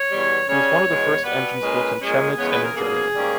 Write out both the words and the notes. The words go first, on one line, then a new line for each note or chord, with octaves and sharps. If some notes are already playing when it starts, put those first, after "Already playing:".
It was one of the first engines built in Chemnitz and in Germany.
Already playing: C#5
E2 B2 G3
C#3 G3 C#4 C#5
E2 B2 G#3
B2 G3 B3 B4
A#2 G#3 C#4
A#2 G#3 C#4 G#4
E2 C#3 G#3 B3 C#5
B4
A#4
B2 A#3 C#4 G#4
G#2 D#3 G3 A#3 C#4